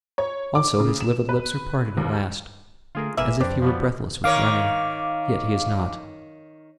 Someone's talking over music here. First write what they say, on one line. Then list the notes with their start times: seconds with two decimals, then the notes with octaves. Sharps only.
Also his livid lips are parted at last, as if he were breathless with running. Yet he is not.
0.18 C#5
0.55 D6
0.80 C#3
1.01 E7
1.29 B4
1.97 D#2
2.95 D3 A3 F4 G#4 A#4
3.17 G1 B2 A#3 G#4 A#4 B4 E5
3.40 F2 C4 D4 G4 B4 D5
3.62 F3 G3 B3
4.24 D#3 A#4 C#5 F5 D6